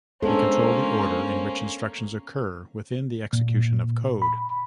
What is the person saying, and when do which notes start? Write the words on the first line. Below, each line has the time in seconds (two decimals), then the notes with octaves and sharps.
They control the order in which instructions occur within the execution of code.
0.23 G#3 A#3 B3 C#4 D4 A4 C5
3.33 A#2
4.22 B5